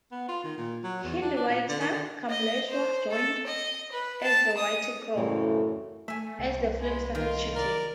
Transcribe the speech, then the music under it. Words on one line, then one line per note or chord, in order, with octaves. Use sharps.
Hindi writer Kamleshwar joined as the writing crew, as the film started shooting.
B3
F4
D#3
A#2
F#3
E2
D4
D4
A#2
D3
D#3
D3
D#5
C5
A4
D#5
B4
A5
D#6
F#2 A2 C#3 E3 A3 C4
A3 E5 G#5
C2
G#3 B4
D#3 F4 A#4
A#4 D5